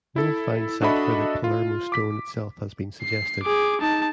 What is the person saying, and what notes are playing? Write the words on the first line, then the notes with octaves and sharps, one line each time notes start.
No find site for the Palermo Stone itself has been suggested.
E4 A4
D4 F#4 A4 D#5 E5 B5
F4
D6 B6
C7
G#4 D6
D#4 A5